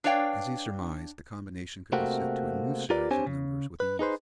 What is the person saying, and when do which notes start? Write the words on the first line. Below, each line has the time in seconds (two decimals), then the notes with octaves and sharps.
As he surmised, the combination could be set to a new series of numbers with ease.
0.04 D4 B4 C#5 D5 F5 G5
1.92 C3 A3 A#3 C4 F#4
2.90 F4 G4 A#4 B4 D5
3.11 C4 D4 G4 C5 C#5 G#5
3.26 C#3
3.80 B4
3.99 D#4 G#4 B4 C5